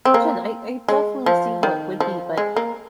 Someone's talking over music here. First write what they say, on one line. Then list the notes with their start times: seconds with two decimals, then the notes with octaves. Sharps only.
can imagine. I I definitely see how it would be, but
0.05 C4
0.14 A#3
0.88 G#3
1.26 F3
1.63 D#3
2.00 F3
2.37 G#3
2.56 A#3